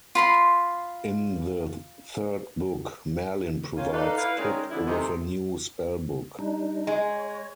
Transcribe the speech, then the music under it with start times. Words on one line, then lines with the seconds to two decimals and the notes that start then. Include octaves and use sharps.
In the third book, Merlin provides Pip with a new spell book.
0.15 F4 B5 C6
3.77 D#3 A#3 C#4 F4
3.93 D#4 A4 B4 D5 F5
4.18 E4 B4 F5
4.38 D#3 G#3 C#4 G#4 A#4 D5
4.71 F2 D3 E4
4.87 C3 D#3 G#3 A3 A4
6.39 G3 D4 D#4
6.87 G#3
7.11 C#5